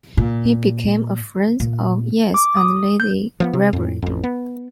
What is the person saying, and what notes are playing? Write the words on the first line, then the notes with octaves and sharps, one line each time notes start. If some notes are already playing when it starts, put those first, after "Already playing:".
He became a friend of Yeats and Lady Gregory.
A#2
A#2
D6
D#6
G6
F3 A#3 B3
C3
F2 A2
A1 F2
B3